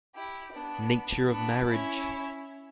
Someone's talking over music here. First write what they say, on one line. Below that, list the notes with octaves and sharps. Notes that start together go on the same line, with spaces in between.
Nature of marriage.
E4 G4
B3 D4
B3 D4
C#4 E4